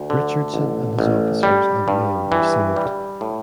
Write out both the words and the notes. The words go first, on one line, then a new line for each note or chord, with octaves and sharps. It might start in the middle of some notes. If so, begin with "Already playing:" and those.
Richardson and his officers and men were saved.
Already playing: D2
D3
A1
A1
G3
G2
E3
G3
A2